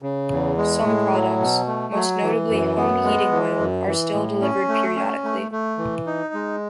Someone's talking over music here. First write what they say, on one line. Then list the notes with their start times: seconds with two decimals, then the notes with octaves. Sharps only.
Some products, most notably home heating oil, are still delivered periodically.
0.02 C#3
0.30 E2
0.57 G#3
0.85 A2
1.13 F#3
1.40 B2
1.67 A3
1.94 F#3
2.22 E3
2.50 F#2
2.77 B3
3.04 G#3
3.31 E3
3.60 F#2
3.87 E3
4.14 A2
4.41 C#4
4.69 A3
4.96 C#4
5.24 A3
5.52 A3
5.78 E3
6.06 D#4
6.34 G#3